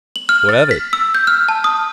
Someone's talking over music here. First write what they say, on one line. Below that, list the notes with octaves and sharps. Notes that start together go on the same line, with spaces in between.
"What of it?"
F#7
F6
A6
B6
E6
G6
F6
A5
D#6